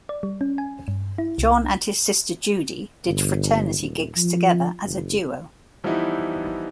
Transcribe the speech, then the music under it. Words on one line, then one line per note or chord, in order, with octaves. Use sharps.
John and his sister Judy did fraternity gigs together as a duo.
D5
G3
C#4
G#5
G2
E4
C2
G1
D#1
F3
F#1
E3 F3 G3 B3 D#4 E4